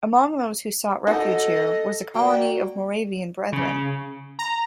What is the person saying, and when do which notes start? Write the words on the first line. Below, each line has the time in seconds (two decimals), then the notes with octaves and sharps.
Among those who sought refuge here was a colony of Moravian Brethren.
1.07 D#4 F#4 A4 D#5
2.14 A#3 F#4 D5 G5
3.53 C#3
4.39 A#5